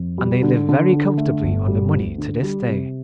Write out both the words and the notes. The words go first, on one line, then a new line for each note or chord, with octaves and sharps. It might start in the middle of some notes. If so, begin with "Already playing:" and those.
And they live very comfortably on the money to this day.
Already playing: F2
G3
D3
D3
D3
A3
G1
G3
D2
D3
G3
C3